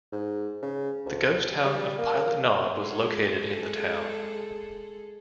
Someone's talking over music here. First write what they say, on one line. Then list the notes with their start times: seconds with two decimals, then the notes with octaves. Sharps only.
The ghost town of Pilot Knob was located in the town.
0.12 G#2
0.62 C#3
1.06 D2
1.65 G3
1.98 A#3
2.79 G#3 G#4 A4